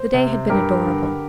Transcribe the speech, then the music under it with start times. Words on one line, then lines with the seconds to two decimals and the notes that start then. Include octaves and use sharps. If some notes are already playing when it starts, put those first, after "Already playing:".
The day had been adorable.
Already playing: C5
0.14 C3
0.50 G2 G4 A#4
0.85 D3